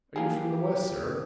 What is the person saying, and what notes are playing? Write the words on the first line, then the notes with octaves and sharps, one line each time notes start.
Are you from the west, sir?
A#3 G4 G#4